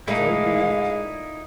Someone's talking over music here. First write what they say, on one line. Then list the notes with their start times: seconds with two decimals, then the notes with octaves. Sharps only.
"So be it."
0.08 A#2 G#3 A3 D#4 E4 F5